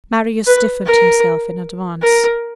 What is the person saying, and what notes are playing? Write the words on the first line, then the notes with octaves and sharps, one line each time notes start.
Marius stiffened himself in advance.
B4
A#4
A#4